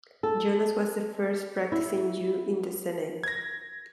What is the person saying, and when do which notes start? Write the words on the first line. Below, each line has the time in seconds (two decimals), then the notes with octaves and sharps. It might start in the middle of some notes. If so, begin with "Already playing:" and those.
Jonas was the first practicing Jew in the Senate.
0.23 A4
1.72 E4
3.23 G#6 A#6